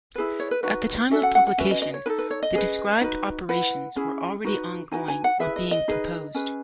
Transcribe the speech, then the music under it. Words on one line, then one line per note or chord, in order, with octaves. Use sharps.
At the time of publication, the described operations were already ongoing or being proposed.
E4 G#4 B4
C#5
B4
D#4 F#4 B4
C#4 F#4 A4 E5
F#5
F#5
F#5
C#4 F#4 B4 E5
D#5
D#5
C#5
D#4 A4 B4
B4
C#5
D#5
C#4 G#4 B4
D#4 F#4 B4
E4 B4 F#5
C#4 E4 G#4
D#4 F#4 B4
D#4 F#4 B4 G#5
G#5
F#5
E4 G#4 B4 E5
D#5
D#5
D#4 G#4 B4
C#4 G#4 B4